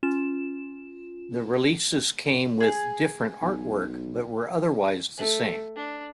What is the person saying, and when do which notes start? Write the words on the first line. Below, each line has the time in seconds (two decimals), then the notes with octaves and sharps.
The releases came with different artwork, but were otherwise the same.
0.03 C#4 F4 E7
2.60 G#4
3.42 B1
5.18 A3
5.76 D4